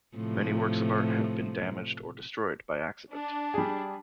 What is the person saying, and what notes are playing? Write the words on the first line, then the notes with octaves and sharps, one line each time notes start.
Many works of art have been damaged or destroyed by accident.
A2 C3 F3
D4
G3 G#4